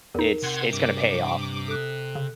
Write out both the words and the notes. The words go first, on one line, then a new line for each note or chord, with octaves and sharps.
it's it's gonna pay off.
E2 D#4 A#4
C3 F#5 C6 G#6
G2 D6
A4 F#6
C#3